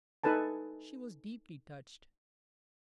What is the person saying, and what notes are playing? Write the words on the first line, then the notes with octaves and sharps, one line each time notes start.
She was deeply touched.
D#4 A4 B4 G#5 A5